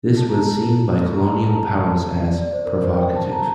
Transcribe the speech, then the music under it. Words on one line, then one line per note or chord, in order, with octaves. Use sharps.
This was seen by colonial powers as "provocative".
A5
A#5
A5
A#5
A5
A#5
A5
D5
D5
C5
A#4
C5
G5
A5
A#5